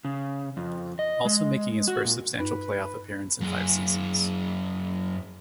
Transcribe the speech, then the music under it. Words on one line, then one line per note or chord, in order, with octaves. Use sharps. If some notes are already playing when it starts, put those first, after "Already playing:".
Also making his first substantial playoff appearance in five seasons.
C#3
F2
D#5
G#3
F#4
A#2
G2 D#4 B4
F#2 G#4